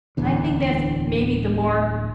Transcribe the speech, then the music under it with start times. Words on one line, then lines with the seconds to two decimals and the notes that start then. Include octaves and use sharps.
I think that's maybe the more
0.17 D1 A1 E2 D3